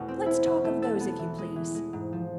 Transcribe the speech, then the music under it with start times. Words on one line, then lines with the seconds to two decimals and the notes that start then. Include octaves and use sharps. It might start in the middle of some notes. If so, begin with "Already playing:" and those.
Let us talk of those, if you please.
Already playing: E2 B2 A3
0.08 C4
0.26 E4
0.46 B2
0.64 A3
0.82 A4
1.00 B3
1.19 E3
1.38 G#3
1.56 E3
1.75 G#3
1.93 G#2
2.13 F3